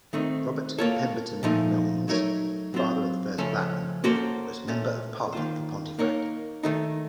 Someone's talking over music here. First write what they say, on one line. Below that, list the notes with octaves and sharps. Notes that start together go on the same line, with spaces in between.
Robert Pemberton Milnes, father of the first Baron, was Member of Parliament for Pontefract.
D#3 A3 C4 D#4
A#3 F4 A4 C#5
A#2 F3 A3 D#4
F#3 A3 D#4 A#4 C#5
F#3 C4 F4 C5
C#3 F3 A3 C#4 A4
A#3 C#4 F#4 A4 C5
A#2 A3 C#4
D#3 A#3 F4 C5
A#3 D#4 A#4 C#5
D#3 A3 D#4